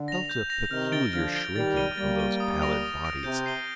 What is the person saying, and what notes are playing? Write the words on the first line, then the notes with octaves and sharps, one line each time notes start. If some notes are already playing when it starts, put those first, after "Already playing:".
I felt a peculiar shrinking from those pallid bodies.
Already playing: D3
A#6 F7
G6
A#6 F7
C3 D#3 F6
A6 D7 G7
D3 F3 F6
A6 D7 G7
D#3 G3 A6
D#7 G7
G3 A#3 A6
D#7 G7
D#6
A#6 D7 F7
D#6
A#6 D7 F7
C3 G6
C7 D#7 G7